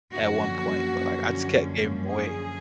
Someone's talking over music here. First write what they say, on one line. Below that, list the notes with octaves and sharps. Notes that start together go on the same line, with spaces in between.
at one point, but, like, I just kept gave them away,
F#2 D3 F3 A#3 C#4 F#4
G#4